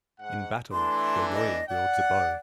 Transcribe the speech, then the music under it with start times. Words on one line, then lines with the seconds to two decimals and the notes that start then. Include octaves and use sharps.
In battle, Yayoi wields a bow.
0.19 G#2 F#5
0.72 E3 A3 D4 C6
1.33 D#5
1.69 D5 F#5